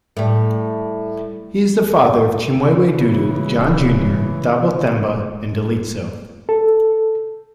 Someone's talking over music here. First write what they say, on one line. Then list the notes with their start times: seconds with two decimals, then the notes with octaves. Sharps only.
He is the father of Chimwemwe Dudu, John Junior, Thabo Themba, and Dalitso.
0.17 A2 G3
2.85 C#3 E3
6.49 A4